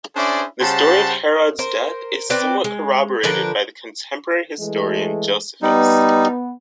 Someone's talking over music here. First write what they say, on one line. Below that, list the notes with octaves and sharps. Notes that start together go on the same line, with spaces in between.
The story of Herod's death is somewhat corroborated by the contemporary historian Josephus.
C#4 D4 E4 G#4 C5 D5
C#3 G3 C5 F#5 A5
A#4 C5
C4 B4 D5 G5
G#3
D3 F3 A#4 B4
E3 G#3 A3
G3 B3 D#4